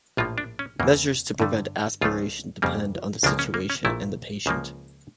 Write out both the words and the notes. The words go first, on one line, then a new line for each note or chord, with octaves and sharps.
Measures to prevent aspiration depend on the situation and the patient.
A#1 A2 F3 A#3 F4
D4
C#4
E2 C#3 E3 A#3
G2 D3 A3
C#2 C#3 F3 A3 F4
F2 C#3 G3 A#3
C#2 C#3 F3 A#3 D4
C#4
A#3
C#4
A#1 A#2 A3 E4
C#2 C#3 F3 A#3